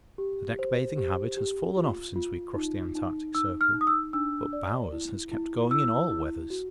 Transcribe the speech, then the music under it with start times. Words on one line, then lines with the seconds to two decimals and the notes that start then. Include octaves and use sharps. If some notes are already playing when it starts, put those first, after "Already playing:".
The deck bathing habit has fallen off since we crossed the Antarctic circle, but Bowers has kept going in all weathers.
0.18 G4
0.59 C5
0.98 G4
1.37 G4
1.76 F4
2.16 F4
2.55 D#4
2.95 D#4
3.35 D#4 E6
3.61 F6
3.74 D#4
3.81 D#6
3.87 E6
4.13 D4 E6
4.53 D5
4.92 E4
5.32 E4
5.71 E4 E6
6.11 E4
6.50 F#4